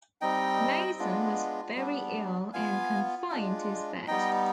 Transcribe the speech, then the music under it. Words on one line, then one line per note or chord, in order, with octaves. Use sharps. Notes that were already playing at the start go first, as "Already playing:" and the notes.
Mason was very ill and confined to his bed.
G3 C4 D#4 D#5 G5
G#3 B3 D4 F4
G3 B3 D4
B3 F4 F5 G#5
G#3 D4 F4
G3 B3 D#4 D#5 G5